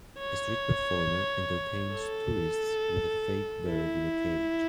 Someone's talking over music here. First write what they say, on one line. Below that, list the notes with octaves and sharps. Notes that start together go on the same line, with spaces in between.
A street performer entertains tourists with a fake bird in a cage.
C#5
A4
E4